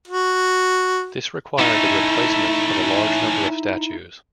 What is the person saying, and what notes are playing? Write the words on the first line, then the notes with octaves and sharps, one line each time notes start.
This required the replacement of a large number of statues.
F#4
A3 C#4 D#4 E4